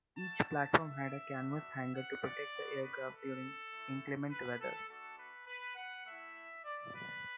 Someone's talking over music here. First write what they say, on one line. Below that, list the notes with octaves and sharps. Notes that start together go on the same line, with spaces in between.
Each platform had a canvas hangar to protect the aircraft during inclement weather.
A3 F#4 A5
A5
E5
B3 D4 F#4
F#5
D5
B3 F#4
B4
A4
A3 E4
B4
A4
A3 D4 F#4 A4
B4
B4
F#5
A3 E4 E5
D5
B4